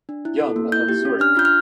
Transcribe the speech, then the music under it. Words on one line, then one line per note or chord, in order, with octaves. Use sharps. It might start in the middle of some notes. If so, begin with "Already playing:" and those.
Jung of Zurich.
D4
E4
A4
A#3
E4 G6
G4
C#4
D4 F6
F4 G6
F6